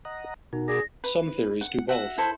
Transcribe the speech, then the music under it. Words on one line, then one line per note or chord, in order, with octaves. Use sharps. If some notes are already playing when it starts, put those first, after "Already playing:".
Some theories do both.
D#5 F#5 A#5
B2 D#4 F#4 A#4
G#4 D5 A#6
B4
F#5
F#4 E5 F#5
E4 A4 C5